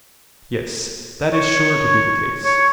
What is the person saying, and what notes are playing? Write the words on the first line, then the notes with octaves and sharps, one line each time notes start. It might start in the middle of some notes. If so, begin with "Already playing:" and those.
Yes, that is sure to be the case.
C#5
C#5